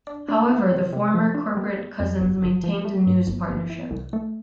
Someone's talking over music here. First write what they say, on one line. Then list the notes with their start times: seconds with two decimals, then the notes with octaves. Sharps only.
However, the former corporate cousins maintained a news partnership.
0.07 D4
0.29 D4
0.50 E3
0.71 C3
0.93 C3
1.14 F3
1.35 D4
1.57 G3
1.79 G3
2.00 F2
2.20 G1
2.42 G1
2.64 F3
2.85 A3
3.07 G2
3.27 G1
3.49 G1
3.70 E3
3.91 C2
4.13 A3